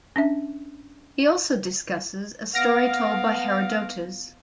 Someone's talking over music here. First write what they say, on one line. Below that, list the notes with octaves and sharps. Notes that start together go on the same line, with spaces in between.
He also discusses a story told by Herodotus.
C#4 D4 E5
B3 F5 F#5 F6 A#6 D7